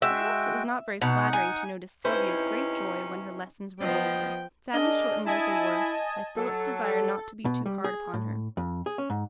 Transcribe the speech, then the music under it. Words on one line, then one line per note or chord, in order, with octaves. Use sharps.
Perhaps it was not very flattering to notice Sylvia's great joy when her lessons were over, sadly shortened as they were by Philip's desire not to be too hard upon her.
G#3 F#4 E5 G5
B2 D#4 F#5
G#5
C3 C#4 D#4 E4 B4 C5
F3 B3 D#5 G5
D4 G#4 A#4 D#5
E4 D#5 G#5 A5
F#3 A4
B2
G3
G#4
A2
F2
G#4
C#4
G#2